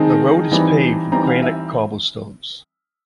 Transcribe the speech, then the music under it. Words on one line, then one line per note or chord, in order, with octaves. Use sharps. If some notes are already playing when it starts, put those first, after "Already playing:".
The road is paved with granite cobblestones.
Already playing: D#3 G#3 C4 D#4 A5
E3 G3 C4 D#4
E3 G3 C4 D#4 A#5
F5
E5